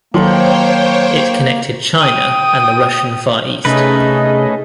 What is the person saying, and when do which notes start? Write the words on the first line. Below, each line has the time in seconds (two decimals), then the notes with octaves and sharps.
It connected China and the Russian Far East.
0.14 D#3 F#3 A#3 A4 C5 C#5 G5 C6
1.98 G5 D#6
3.65 C3 A3 C#4 D#4 G#4 B4 D#5